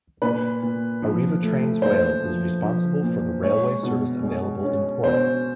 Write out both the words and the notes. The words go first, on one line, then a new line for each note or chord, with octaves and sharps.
Arriva Trains Wales is responsible for the railway service available in Porth.
A#2 B4
A#2
F3
A3
A#2 C5
F3
F3
A#2
G#3 C#5
B2
G#3
C#4
B2 C5